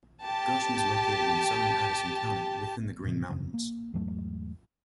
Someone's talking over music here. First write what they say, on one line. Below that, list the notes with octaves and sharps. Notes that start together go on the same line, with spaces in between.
Goshen is located in southern Addison County, within the Green Mountains.
G4 A5
F#2 A#2 C#3 F3
E1 F#2 C#3
A#3
E2 G#2 F#3 A3